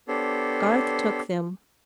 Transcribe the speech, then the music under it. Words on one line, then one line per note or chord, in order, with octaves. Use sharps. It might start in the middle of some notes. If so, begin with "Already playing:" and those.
Garth took them.
B3 D4 G4 A4 C5 C#5